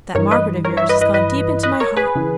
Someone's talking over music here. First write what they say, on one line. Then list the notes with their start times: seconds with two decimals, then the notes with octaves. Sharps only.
'That Margaret of yours has gone deep into my heart.
0.15 G2 E3 A#4 C#5
0.31 B4 D#5
0.65 A#4 C#5
0.77 C#5 E5
0.89 B4 D#5
1.01 B4 D#5
1.14 B4 D#5
1.63 B4 D#5
1.80 A#4 C#5
1.97 G#4 B4
2.15 C#3 E3